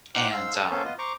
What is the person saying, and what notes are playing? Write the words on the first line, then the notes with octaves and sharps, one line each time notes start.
And, um
D#4 C5 F#5 G5 D6 F6
G#2 C5 F5 E6
A4
A#3 B3 C#4 A4 C5
B3 F4 D#5
C5 A#5 C#6 D6